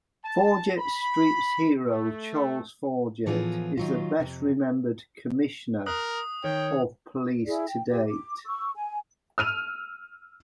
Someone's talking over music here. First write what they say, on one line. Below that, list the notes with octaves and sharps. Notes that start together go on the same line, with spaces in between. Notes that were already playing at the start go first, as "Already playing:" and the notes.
Forjett Street's Hero Charles Forjett is the best-remembered commissioner of police to date.
A5
B5
A3
A2 E3 F3 B3 F4 G#4
D#3 F#3 F4
F2 C3
A#4 D#6 F#6 F#7
D#3 C#5 G5
E4 G#4 D5
G5
G4
D6
C#6 E6
G#5
E6 F6 D#7 F7